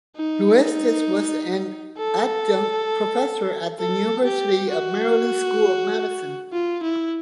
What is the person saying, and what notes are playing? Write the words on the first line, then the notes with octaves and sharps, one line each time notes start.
Huestis was an adjunct professor at the University of Maryland School of Medicine.
D#4
A4
A4
G4
F#4
F4
E4